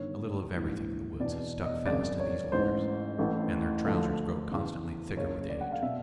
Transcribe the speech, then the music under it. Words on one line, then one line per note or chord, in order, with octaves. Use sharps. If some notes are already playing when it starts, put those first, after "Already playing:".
A little of everything in the woods is stuck fast to these loggers, and their trousers grow constantly thicker with age.
Already playing: G1 G2 D#3 C#5
A#1 G#2 E3
E2 B2 D5
D#5
G#1 F#2 C#3 D5
C#5
A1 G#2 E3 C5
A1 A2 E3
D2 D3 F3
E2 C#3 E3
F#1 F#2 C#3 C#5
D5
F#5
F5
B2 E5